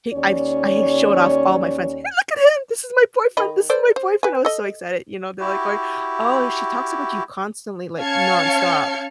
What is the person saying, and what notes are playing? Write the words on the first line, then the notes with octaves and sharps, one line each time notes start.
he I've I showed off all my friends, "Hey, look at him, this is my boyfriend, this is my boyfriend," I was so excited, you know? They're like going, "Oh, she talks about you constantly, like, nonstop."
D#2 C#4 C#5 D5
D#3 D#5 B5
A4 C5 D5
C5
B4 G#5
A4 D#5
E4 F#4 G4
C#4 F5 A5 F6 G#6 C#7